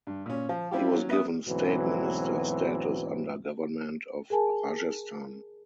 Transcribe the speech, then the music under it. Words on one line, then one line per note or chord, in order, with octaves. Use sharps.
He was given State Minister Status under Government of Rajasthan.
G2
A#2 C#4
F3
G3 C4 E4 F4 G4
F#3 C#4
B3 E5 D#6
D2 G#2 B2 E3 F#3 C4
G#4 A#4 G#5 A5